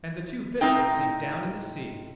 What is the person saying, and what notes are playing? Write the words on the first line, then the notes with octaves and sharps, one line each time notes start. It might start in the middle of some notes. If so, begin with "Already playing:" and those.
"And the two bits would sink down in the sea!"
A2 C4 D#4 G5